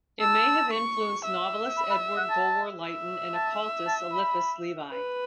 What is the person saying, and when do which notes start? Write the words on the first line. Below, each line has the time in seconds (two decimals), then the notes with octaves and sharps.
It may have influenced novelist Edward Bulwer-Lytton and occultist Eliphas Levi.
0.20 A5 E6
0.73 C#6
1.25 E5
1.77 B5
1.90 B5
2.17 F#5
2.30 A5
2.82 E5
3.34 A5
3.87 A5
4.13 B5
4.91 B4